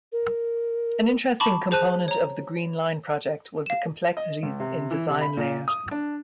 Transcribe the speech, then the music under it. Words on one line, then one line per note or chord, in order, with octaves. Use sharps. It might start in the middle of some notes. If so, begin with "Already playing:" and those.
An interesting component of the Green Line project was the complexities in design layout.
A#4
A5 B5 C#6 D6
G#4 C5 A5 F#6 D#7
C#5 A#5
F5 E7
D#5
C#2
C3
E3
C3
B5
A#2
D#6
D4